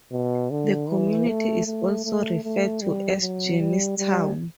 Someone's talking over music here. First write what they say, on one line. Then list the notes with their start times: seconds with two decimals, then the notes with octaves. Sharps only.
The community is also referred to as Jimstown.
0.12 B2
0.51 D3
0.90 E3
1.28 A3
1.66 A3
2.05 A3
2.43 A3
2.81 G3
3.20 F#3
3.59 G3
3.98 G3